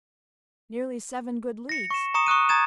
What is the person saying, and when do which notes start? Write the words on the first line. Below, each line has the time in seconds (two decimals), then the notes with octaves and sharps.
"Nearly seven good leagues."
1.69 A#6 C#7
1.91 C#6 E7
2.14 A#5 C#6 D#6 C#7 E7
2.26 C#6 D#6 F#6 D#7
2.49 A#5 D#6 G#6 A6 E7